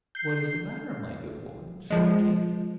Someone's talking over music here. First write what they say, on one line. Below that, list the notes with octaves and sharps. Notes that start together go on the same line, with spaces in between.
"What is the matter, my good woman?" said the King.
G6 C7
F3 G#3